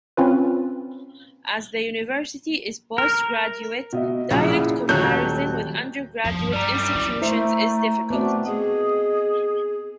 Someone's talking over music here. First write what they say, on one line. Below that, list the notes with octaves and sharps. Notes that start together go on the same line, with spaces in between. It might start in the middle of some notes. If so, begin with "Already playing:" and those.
As the university is postgraduate, direct comparison with undergraduate institutions is difficult.
C4 C#4 F4 B4
A#4
B2 D#5 E5
A#1 F#2 A#2 C#3
E4
D#1 F#3 A3 C#4 F#6 G6
E2 F3
G2
G3 D5 A#5
F#2
E3 C#4
A3 E4 A#4 C5 E5
A3 B3 C4 D4 F#4
G#4 D#5